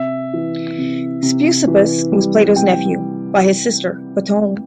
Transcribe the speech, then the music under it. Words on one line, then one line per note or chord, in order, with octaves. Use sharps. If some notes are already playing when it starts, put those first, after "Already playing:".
Speusippus was Plato's nephew by his sister Potone.
Already playing: C3 E5
E3
C3
C3
E3
G3
C3 G5